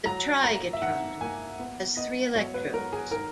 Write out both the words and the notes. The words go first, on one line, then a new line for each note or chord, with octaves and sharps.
A trigatron has three electrodes.
F#3 A#5
A#3 A#5
E5
D#3 F#5
A#3 G#5
B3
B3 D#5
F#3 C#5
B4
F#3 A#4
G#4
D#3 A#4